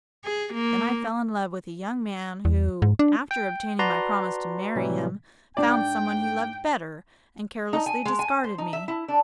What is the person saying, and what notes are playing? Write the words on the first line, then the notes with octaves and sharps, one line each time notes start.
Then I fell in love with a young man who, after obtaining my promise to marry him, found some one he loved better and carelessly discarded me.
G#4
A#3
E2
G#2
D4
G5
F#4 B4 D5 A5 A#5 C6
A2 C3 E3 F#3 G3
G#2 D4 D5 G5
D#4
G#5
G#3
G#5
C5
D#4
E5
E4
D4